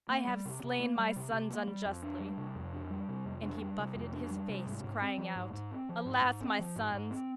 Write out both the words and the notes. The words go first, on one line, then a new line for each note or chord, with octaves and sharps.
I have slain my sons unjustly." And he buffeted his face, crying out, "Alas, my sons!
A#3
G3
C3
C3
A#3
G3
C3
C3
A#3
G3
F2
D4
G3
C3
F2
D4
G3
C3
F2
D4
G3
C3
F2
D4
G3
C3
G#2
G#2
C4
F3
G#2
G#2
C4
F3
G#2
G#2
C4
F3
G#2
G#2
C4